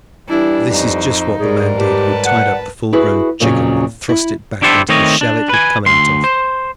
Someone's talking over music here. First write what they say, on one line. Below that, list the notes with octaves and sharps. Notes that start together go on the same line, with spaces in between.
This is just what the man did who tied up the full-grown chicken and thrust it back into the shell it had come out of.
E3 G3 D4 E4
F2 D#4
G#2 G3 G#4 A#4
G4 B4 A5
F#5
E4 F#4 G#4 B4
F2 A#2 C#3 F#3 C#4
E4
D4 E4 G4 A4 C5 E5
D#3 A3 C4 C#5 D#5
D4
B4 G#5
D2 C6
C5